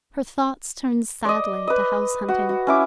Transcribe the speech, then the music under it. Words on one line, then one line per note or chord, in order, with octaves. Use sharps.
Her thoughts turned sadly to house-hunting.
D5 D#5
B4 D#5
F#4
F#4
C#4 E4 D6